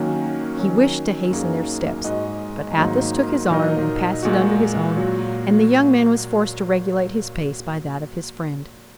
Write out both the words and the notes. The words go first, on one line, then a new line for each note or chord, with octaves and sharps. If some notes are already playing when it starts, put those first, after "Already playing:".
He wished to hasten their steps; but Athos took his arm and passed it under his own, and the young man was forced to regulate his pace by that of his friend.
Already playing: D#3 F#3 A#3 C#4 F#4
D#3 F#3 C#4
F#2 F#3 A#3 D#4 G#4
G#2 G#3 F#4 D#5
G#2 D#3 F#3 A#3 D#4
A#2 F#3 D#4 A#4 D#5
A#2 G#3 F#4
A#2 F#3 A#3 F#4